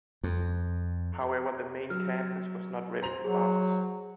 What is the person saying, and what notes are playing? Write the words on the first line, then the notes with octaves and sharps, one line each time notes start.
However, the main campus was not ready for classes.
F2
F#3 F6
C5 A#5 F7
F#3 G#4